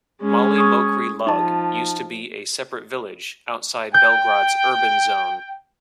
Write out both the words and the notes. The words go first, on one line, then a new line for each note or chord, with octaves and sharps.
Mali Mokri Lug used to be a separate village, outside Belgrade's urban zone.
G#3 C#4
C#6 D#6 G#6
F3 D#4 A5
G5 G6